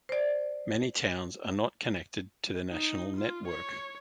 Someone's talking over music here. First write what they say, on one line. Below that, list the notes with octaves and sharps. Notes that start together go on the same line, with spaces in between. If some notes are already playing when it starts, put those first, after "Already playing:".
Many towns are not connected to the national network.
C5 D5
D#4
F4
C#5